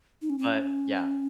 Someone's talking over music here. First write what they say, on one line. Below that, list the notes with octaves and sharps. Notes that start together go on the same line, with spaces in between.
but yeah.
D#4
C#4
C4
C#4